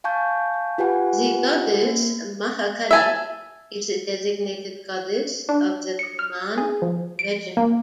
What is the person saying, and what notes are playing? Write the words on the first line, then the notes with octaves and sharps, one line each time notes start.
The goddess Mahakali is the designated goddess of the Kumaun Regiment.
F5 G#5 A5 C#6 G6
F4 G4 B4 F#5 G#5
A#3
E5 G#5 A5
D4
C#7
F6
G#4
F3
D7
A#3